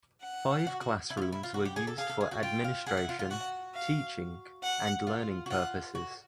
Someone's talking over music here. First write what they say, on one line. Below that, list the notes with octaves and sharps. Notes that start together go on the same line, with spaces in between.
Five classrooms were used for administration, teaching and learning purposes.
F#5
F#4
F#4
E4
F4
E4
E4
F4
F#4 F#5
G4
G#4
A4
G#4 F5
A4
G#4
F#4
F4 G5
F4
G#4 F#5
E4
F4
F4
F#4 F#5
F5
F#5
F4
F#4
F4 F#5
F#4